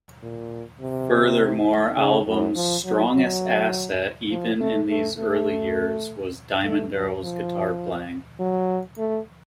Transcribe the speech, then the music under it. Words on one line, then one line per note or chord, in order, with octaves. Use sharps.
Furthermore, album's "strongest asset" even in these early years was Diamond Darrell's guitar playing.
A#2
C3
C#3
F#2
F3
F#3
F#3
F3
A3
A3
A3
A3
F#3
F3
F#3
A3